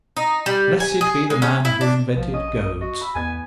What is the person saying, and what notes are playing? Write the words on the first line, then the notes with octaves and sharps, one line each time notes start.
Blessed be the man who invented goads!
D#4
G3
G#5
G#4
G#3
C#4
E4
D4
A#1 F3
C#4 D#5
D#6
F#4 D#5
B5 E6
A1 E2 B3 G#5 G#6